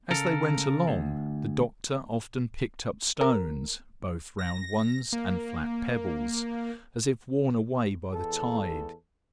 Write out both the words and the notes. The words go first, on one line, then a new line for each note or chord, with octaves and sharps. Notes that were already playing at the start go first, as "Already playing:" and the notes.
As they went along, the Doctor often picked up stones, both round ones and flat pebbles, as if worn away by the tide.
C#3 A4 A#4
D2
A#4
A#6
A#3
E2 A4